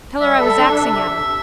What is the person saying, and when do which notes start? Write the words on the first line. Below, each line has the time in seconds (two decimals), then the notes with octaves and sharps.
Tell her I was axing at her.
0.21 G3 E5
0.39 A4
0.59 D4
0.77 C3 E5